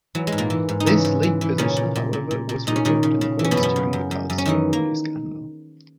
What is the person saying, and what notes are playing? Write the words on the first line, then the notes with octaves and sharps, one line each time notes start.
This league position, however, was revoked in the courts during the "Calciopoli" scandal.
E3 F#3
G#3
G#2
A#2 A#3
E3
G#2
D#4
C#3 E3 C#4
G#2
E3
E3
A#2 C#3 C#4
A#2
A#2
A#2
A#2
A#2
A#2 D#4
C#4
A#2 D#3 D#4
C#3
C#3
E3
C#4
B2 B3
F#2
B2 B3
C#3
F#2
F#2
F#2
C#4
D#3 E3 D#4
A#3